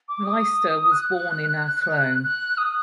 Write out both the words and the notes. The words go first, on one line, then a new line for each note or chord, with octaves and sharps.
Lyster was born in Athlone.
D6
D#6
F#6
F#6
D#6